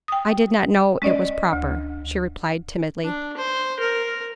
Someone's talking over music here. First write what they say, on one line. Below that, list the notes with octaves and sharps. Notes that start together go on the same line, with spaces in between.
"I did not know it was proper:" she replied, timidly.
G5 D#6
G#3 C#4 D5 D#5
D2
D4
C5
A#4